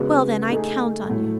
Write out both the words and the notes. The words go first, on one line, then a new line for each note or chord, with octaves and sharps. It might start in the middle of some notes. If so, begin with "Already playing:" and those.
"Well, then, I count on you."
Already playing: C#3 G#3 B3 F#4
A3 D#4 G#4
A2 F#3 A3 E4 A4